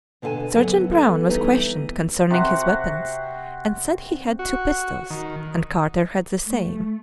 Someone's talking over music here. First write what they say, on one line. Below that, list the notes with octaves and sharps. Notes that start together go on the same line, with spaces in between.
Sergeant Brown was questioned concerning his weapons, and said he had two pistols and Carter had the same.
B2 D3 A4 F5 G#5 A5
D#2 F#3 B3 E5 F#5
B3 A4
E3 G3 B3 D#4 E4
C3 F#4 F#5
F#4
D#3
A3